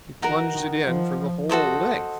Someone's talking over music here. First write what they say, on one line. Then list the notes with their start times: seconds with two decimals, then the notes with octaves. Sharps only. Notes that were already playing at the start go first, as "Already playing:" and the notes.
He plunged it in for the whole length.
0.22 E3 D#4 F#4 A#4
0.54 D#3
0.85 F3
1.49 F#4 A4 C5 D#5